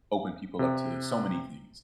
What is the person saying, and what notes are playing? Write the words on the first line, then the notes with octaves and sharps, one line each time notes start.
open people up to so many things.
C3